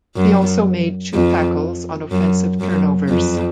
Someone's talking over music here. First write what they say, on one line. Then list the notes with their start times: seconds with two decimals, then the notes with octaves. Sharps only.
He also made two tackles on offensive turnovers.
0.16 F#2
1.14 F2
2.11 F#2
2.60 F#2
3.09 F2